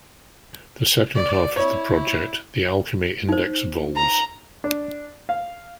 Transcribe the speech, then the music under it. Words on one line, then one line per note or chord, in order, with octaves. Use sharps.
The second half of the project, The Alchemy Index Vols.
D5
E4 C#5
D#4 C5
A#5
D4
F5